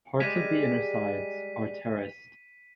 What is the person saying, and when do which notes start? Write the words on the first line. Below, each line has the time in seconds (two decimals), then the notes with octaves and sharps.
Parts of the inner sides are terraced.
0.20 G3 G#3 B6 D#7